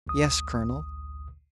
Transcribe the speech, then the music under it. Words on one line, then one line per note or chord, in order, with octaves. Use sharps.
"Yes, colonel."
A1 D2 D#6